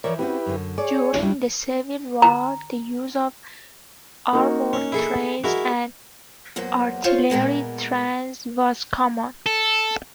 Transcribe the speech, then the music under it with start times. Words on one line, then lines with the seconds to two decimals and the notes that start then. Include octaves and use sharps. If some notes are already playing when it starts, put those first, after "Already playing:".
During the civil war, the use of armored trains and artillery trains was common.
0.04 E3 F3 A#4 C#5 D5 E5
0.19 C4 C#4 E4 F#4 G4 B4
0.46 F#2 D3
0.78 G#4 C#5 D5
1.19 G3 C#4 E4 F4
2.22 A#5
4.33 A#3 D#4 F#4
4.73 C#4
4.92 E4 G#4 A4
5.44 G#3 E4 F#4 A#4
6.56 E2 F#3 A#3 C5
7.04 F4 C5 C#5 F5
7.30 A#2 G#3 A#3 B3
9.46 A4